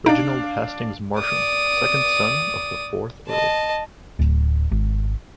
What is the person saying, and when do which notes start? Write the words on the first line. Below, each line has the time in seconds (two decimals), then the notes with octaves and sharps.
Reginald Hastings Marsham, second son of the fourth Earl.
0.06 D4 D#4 F5 D7
1.20 D5 D#6
3.28 D#5 A5
4.19 D1
4.72 G#1